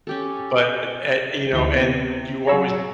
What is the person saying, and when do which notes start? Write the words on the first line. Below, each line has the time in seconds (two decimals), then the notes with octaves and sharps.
but at you know, and you always,
0.07 C#4 G4 A4
1.53 D2 E3 G7
1.75 C3 B3
2.47 F#3 C#5 A#5 C#6 E6